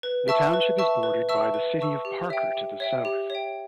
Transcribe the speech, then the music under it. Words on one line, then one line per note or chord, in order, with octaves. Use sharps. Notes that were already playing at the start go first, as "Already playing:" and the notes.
The township is bordered by the city of Parker to the south.
B4
E5 A5 C#6 E6
B4
E5 A5 C#6 E6
B4
E5 A5 C#6 E6
B4
E5 A5 C#6 E6
G4
C#5 E5 G5
G4
C#5 E5 G5
G4
C#5 E5 G5